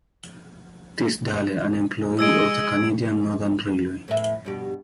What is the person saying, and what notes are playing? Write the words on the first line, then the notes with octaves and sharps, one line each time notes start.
Tisdale, an employee of the Canadian Northern Railway.
G#3 D#5 E6 G#6 D7
A2 B4 E5
G2 B2 G4